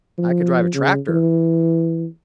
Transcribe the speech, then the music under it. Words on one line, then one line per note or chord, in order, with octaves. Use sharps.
"I can drive a tractor."
F3
C#3
E3